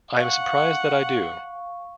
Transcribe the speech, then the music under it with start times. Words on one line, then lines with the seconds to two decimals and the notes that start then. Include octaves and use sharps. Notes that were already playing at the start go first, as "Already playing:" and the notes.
I am surprised that I do.
0.17 F5 F#5 C#6